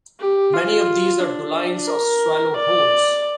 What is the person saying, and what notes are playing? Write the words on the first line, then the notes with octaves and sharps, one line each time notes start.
Many of these are dolines or swallow holes.
G4
F4
D4
A#4
D5